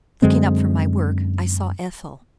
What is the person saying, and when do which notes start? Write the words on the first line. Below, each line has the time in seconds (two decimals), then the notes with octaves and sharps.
Looking up from my work, I saw Ethel.
0.22 F#2 D3 G#3 C4